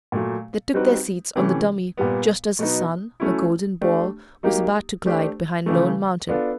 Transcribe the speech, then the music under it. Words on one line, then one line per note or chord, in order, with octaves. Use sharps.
They took their seats on the dummy, just as the sun, a golden ball, was about to glide behind Lone Mountain.
A#2 F#3 A3
G3 C4 D#4 F#4 B4
C3 E3 A3 C#4
A#2 G3 B3
B2 F#3 B3 D#4
F#3 A3 C#4 E4
A3 D4 G4
F#3 A#3 D#4 G4
A3 D4 G4 C5
C#3 E3 A3
B3 D4 F4 A4